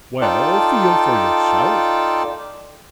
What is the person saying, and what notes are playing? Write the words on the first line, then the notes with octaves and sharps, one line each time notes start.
"Well, feel for yourself."
D#4 F4 A4 D5 G5 A5